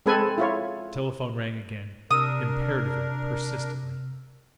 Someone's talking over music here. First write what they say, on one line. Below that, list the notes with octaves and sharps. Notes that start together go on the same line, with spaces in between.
The telephone rang again--imperatively, persistently.
G#3 C4 G#4 A4 B4 G#5
E4 F4 C#5
C3 D4 A#4 D#6 E6